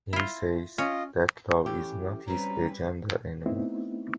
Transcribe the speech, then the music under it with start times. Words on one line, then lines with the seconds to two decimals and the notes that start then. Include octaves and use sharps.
He says that love is not his agenda anymore.
0.13 E4 F4
0.78 C#4 F4 D#5
1.66 E3 A3 C#4 G4
2.28 G3 C4 C#4 B4 A#5
3.46 A3 B3 C4 D#4 E4